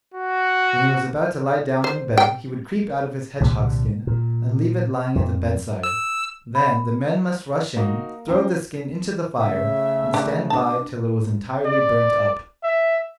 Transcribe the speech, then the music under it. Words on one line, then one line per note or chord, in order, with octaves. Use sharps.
When he was about to lie down in bed he would creep out of his hedgehog skin, and leave it lying at the bedside; then the men must rush in, throw the skin into the fire, and stand by till it was entirely burnt up.
F#4
C5
G5
C2 A#2 D3 G3
A#2
F2
E6
B5
A#3 D#4 F#4
C#4 F4 C5 G5 A#5
C#3 A3 E5
D4 G4
D4 A5
D5
E5